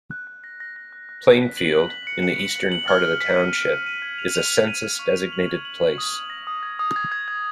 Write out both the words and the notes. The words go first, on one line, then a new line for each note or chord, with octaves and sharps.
Plainfield, in the eastern part of the township, is a census-designated place.
F#6
F#6
A#6
A#6
A#6
F#6
F#6
A#6
B6
F#7
F#6
B6
C#7
C#7
F#7
C#7
F#7
F6
F6
B6
D#7
B6
D#7
D#7
G#6
F7
F7
B6
D#7
F6
C#6
D#7
F#7
G#6
F#7
F#7
D#6
F#7
A#6
D#6
G#6
D#6
G#6
G#6
G#6